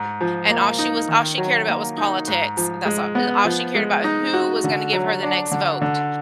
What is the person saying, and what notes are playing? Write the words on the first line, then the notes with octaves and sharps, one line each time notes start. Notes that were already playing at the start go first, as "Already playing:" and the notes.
and all she was all she cared about was politics, that's a a all she cared about who was gonna give her the next vote,
Already playing: G#2
F3
A#3
D#4
D#3
F#3
A#3
D#4
G#2
F3
G#3
B3
F3
G#3
D#4
F#4
D3
F#3
D4
D3
D3